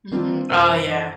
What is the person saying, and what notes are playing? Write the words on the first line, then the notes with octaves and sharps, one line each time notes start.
Mhm. Oh, yeah.
D#3 G3 A#3 C4 D4 F4
F#2 C3 A#4 C5 E6 D#7
E3 D#5